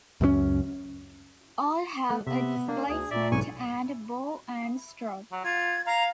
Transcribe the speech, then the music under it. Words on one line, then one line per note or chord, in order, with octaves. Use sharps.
All have a displacement and bore and stroke.
C#2 F#2 G#3 C#4
A3 F#5
C3 B3 E5
A#3 D4
D2 G#4
A#2 D5 E5
B1 G#2 G#5 C#6
F#3
F4 G#6
F5 A#5